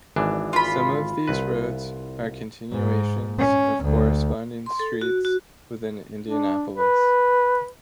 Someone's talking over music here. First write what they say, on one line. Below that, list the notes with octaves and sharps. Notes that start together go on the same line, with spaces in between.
Some of these roads are continuations of corresponding streets within Indianapolis.
G#1 E3 D4
F4 B5
C2 B4
G#2
C#4
D2
C6
A4
F#4
F#4
D4
B4